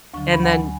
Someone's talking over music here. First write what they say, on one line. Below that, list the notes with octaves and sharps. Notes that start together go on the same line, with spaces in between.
and then
D2 D3 F#3 C#6
B5
F#5
G#5